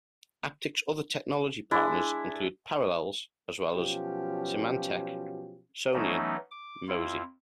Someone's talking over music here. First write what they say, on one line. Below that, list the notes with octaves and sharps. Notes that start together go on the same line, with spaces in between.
Apptix's other technology partners include Parallels, as well as Symantec, Sonian, Mozy.
G#3 D4 E4
B2 F3 F#3 C#4 F4 G4
E3 F#3 A3 B3 C#4 D#4
D6
F2 E4 F4